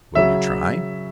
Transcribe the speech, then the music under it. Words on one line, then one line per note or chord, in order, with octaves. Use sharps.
"Will you try?"
C#3 F#3 E5